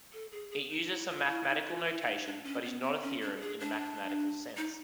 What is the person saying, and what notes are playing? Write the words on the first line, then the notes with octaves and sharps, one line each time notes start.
It uses some mathematical notation but is not a theorem in the mathematical sense.
A4
G#4
G#4
D#4
E4
F4
E4
D#4
F4
E4
E4
D#4
D4
C#4
B3
C4
C#4
D4
A4
G#4
D4
D#4